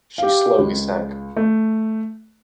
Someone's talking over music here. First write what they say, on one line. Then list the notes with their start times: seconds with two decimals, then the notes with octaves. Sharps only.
She slowly sank.
0.18 G4 F5
0.58 C#2
1.37 A3